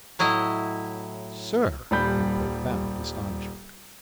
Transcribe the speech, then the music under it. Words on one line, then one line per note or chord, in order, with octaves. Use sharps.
"Sir!" in profound astonishment.
A2 F#3 E4 D#5
D#1 G3 B5 G6